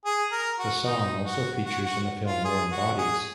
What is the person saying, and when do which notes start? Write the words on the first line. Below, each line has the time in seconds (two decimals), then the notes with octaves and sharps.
The song also features in the film "Warm Bodies".
0.05 G#4
0.32 A#4
0.59 F#4
0.85 D#4
1.25 F#4
1.65 F#4
1.85 F#4
2.26 F4
2.45 G#4
2.72 F#4
2.98 G#4